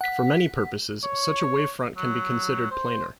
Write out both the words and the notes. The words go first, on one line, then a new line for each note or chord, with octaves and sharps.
For many purposes, such a wavefront can be considered planar.
F#5 B6
C#5
F#3
C5